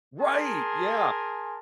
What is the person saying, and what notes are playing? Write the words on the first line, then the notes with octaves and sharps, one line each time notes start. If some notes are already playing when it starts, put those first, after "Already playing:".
Right! Yeah.
G#4 A#4 G#5 A5 C6